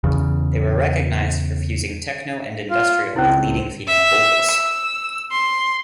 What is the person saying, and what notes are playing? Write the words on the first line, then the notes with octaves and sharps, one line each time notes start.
They were recognized for fusing techno and industrial with leading female vocals.
E2 C#3
F4 F5
C#2 C4 C#4 E4
E5
E6
C6